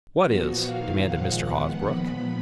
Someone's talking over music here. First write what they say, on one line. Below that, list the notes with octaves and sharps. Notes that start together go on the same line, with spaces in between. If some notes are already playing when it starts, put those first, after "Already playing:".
"What is?" demanded Mr. Hosbrook.
A#2 F3 B3 F#4
D#3 A#3 F5
A#2 F3 G#3 F#5
D#3 G#3 B3
A#2 F3 B3 B5